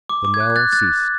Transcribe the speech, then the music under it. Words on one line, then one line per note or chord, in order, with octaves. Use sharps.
The knell ceased.
D6
D6
G#6
F#6
G#6
F#6 A6
F#6 A6